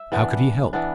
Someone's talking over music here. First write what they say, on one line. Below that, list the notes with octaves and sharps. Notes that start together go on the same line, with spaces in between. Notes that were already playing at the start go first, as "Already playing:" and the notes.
How could he help?
Already playing: E5
E3 B3 D4
E3 B3 D4